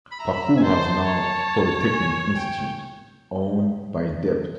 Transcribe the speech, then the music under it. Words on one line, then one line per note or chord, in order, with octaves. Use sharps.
Pakur has now Polytechnic Institute -Owned by Deptt.
B5
E5 A#5
B5
A#5
G#5
C5 A5
A5
C#5
G#5
G5